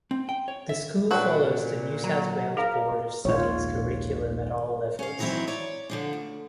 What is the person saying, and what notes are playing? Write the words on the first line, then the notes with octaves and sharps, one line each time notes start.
The School follows the New South Wales Board of Studies curriculum at all levels.
C4
G5
C#5
E5
A#2 D4 F#4 A#4 B4 C#5 G5
F#3 A#5
G#4 A#4 F5 A#5
A#1 D#2 G#2 F4 C#5
C#4 F5
D#3 E3 F#3 C4 E4
C#5 D5
D3 F3 D4
D2